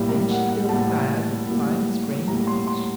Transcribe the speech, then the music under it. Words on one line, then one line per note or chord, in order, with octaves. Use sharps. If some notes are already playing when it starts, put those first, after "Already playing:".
Then she filled the bag with the finest grains of wheat.
Already playing: A2 G3 A#3
A#4
F#5
F#5
A2 G3 A#3 A5
A2 G3 A#3
A2 G3 A#3 A#5
C6
C6